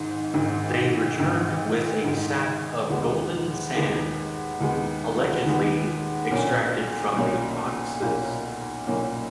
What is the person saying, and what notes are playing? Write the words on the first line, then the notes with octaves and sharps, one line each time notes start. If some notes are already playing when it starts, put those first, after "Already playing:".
They returned with a sack of golden sand, allegedly extracted from the Oxus.
Already playing: G#1 G#2 D#3
G#1 G#2 D#3
G#1 G#2 D#3
G#1 G#2 D#3
D#2 D#3 G#3 B3
D#2 D#3 G#3 B3
D#2 D#3 G#3 B3
D#2 D#3 G#3 B3
B1 A#2 F#3 A#3 C#4
B1 A#2 F#3 A#3 C#4
B1 A#2 F#3 A#3 C#4
B1 A#2 F#3 A#3 C#4